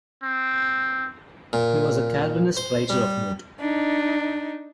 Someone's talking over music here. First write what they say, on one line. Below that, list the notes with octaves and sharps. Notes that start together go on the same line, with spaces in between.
He was a Calvinist writer of note.
C4
A#2
C5
G3
D4 D#4